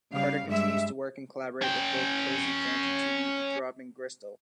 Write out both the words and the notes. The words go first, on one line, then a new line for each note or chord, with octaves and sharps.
Carter continues to work and collaborate with both Cosey Fanni Tutti and Throbbing Gristle.
C#3 G3 F5
G2 G3 G#3 E5
C#4 G5